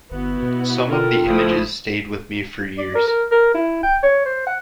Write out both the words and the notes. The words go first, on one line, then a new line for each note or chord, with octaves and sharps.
Some of the images stayed with me for years.
G1 B3 E4 F#4
B2
F4 A4 A#4 G5 C6
F#1 F3 A3 E4 D#6
D5
A#4
A#4
A#4
E4
G5
C#5
C5
F#5